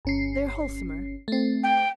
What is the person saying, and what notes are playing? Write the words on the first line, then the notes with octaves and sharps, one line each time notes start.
They're wholesomer.
G1 C#4 C7
A3 C4
G5